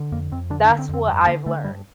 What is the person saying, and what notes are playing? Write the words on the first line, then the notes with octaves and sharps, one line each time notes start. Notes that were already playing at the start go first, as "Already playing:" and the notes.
That's what I've learned.
Already playing: D3
F2 A#3
F2 C4
D3 D4
D4
D3
C4
F2 C4
G2
D3 A#3
D3 A3
G2 G3